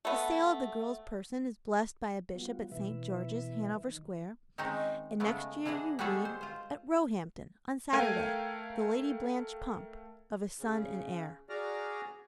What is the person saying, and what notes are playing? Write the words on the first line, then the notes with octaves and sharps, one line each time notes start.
The sale of the girl's person is blessed by a Bishop at St. George's, Hanover Square, and next year you read, 'At Roehampton, on Saturday, the Lady Blanche Pump, of a son and heir.
A3 B3
G3 B3 F4 F#4
B2 E3 B4 E5
D#3
D#3 G#3 C4 C#4 D#4
C#3 G#3 A3 B3
E3 D4 G#4 D#5 F#5
G3 G#3 B3 F#4 G#4 A4
C5
F4 C5
A3 A#4 F5 G5 G#6 D#7
C#3
F#4 G#4 D5 A#5 F6